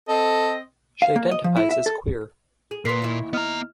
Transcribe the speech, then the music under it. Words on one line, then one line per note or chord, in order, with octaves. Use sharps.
She identifies as queer.
C4 A4 D#5
F5
A#3
D#5
F3
E4
E5
A4
G#4
A#2 B3 A#4 C6 B6 C7
D#2 E4
B3 D#5 A#5 F6